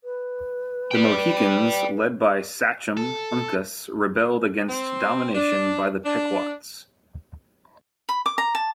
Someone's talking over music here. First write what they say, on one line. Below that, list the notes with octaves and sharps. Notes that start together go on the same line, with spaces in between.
The Mohegans led by "sachem" Uncas rebelled against domination by the Pequots.
B4
D5 G5
A4
C4
D4
D4
B5
D6
A#5
A5